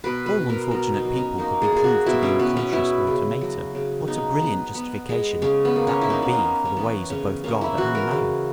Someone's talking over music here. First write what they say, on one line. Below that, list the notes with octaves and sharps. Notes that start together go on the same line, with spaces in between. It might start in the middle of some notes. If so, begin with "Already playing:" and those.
If all unfortunate people could be proved to be unconscious automata, what a brilliant justification that would be for the ways of both God and man!
B2 B4
B4
B2
A#4
B3 A#4
D#4
F#3
C#4
A#3 D#4
G#4
A#3 G#4
F#4
B2 E4
C#4
B2 B3
C#4
B3 E4
C#3
F#3
C#3
B3 D#4
B3
B3
G#3
C#3 C#4
B3
A#3
C#4
E4
A#3 D#4
B3
C#4
A#3
C#4
E3 B3
C#3 C#4
A#3 C#4
E4
E3 F#4
A#4
C#3